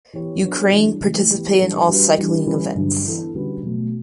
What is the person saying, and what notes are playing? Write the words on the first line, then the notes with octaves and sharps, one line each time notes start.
Ukraine participated in all cycling events.
E3 B3 E4 G4 C#5
F#3 B3 D4 F#4 C#5
E3 G3 D4
C#3 E3 A3
E3 B3 E4 G4
E3 G3 D4 A4
G3 D4 F#4 B4
E3 G3 D4 G4
E3 G3 C#4 E4 B4
G2 D3 F#3
E3 B3 E4 A4
D3 G3 C#4 F#4 B4
B2 F#3 A3